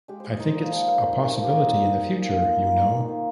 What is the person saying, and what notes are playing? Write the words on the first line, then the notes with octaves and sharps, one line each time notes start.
I think it's a possibility in the future, you know.
G#3 G4
G#3 C5
D#5
D#4 C5
A#2
F3
A#2
G#3
D#4
F3
G4
D#4 G#4
A#2
D#4
D#3
F4
A#3
F4
F4
A#3
D#3
D#3